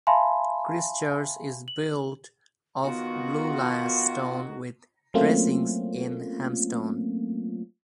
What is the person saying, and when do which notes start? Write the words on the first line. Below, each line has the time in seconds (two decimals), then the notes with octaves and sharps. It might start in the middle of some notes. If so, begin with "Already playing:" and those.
Christ Church is built of Blue Lias stone with dressings in Hamstone.
0.07 E5 F5 G#5 A5 B5 C6
1.68 F#7
2.85 D#3 B3 F4 F#4
5.14 F#3 A3 A#3 C4 C#4 F4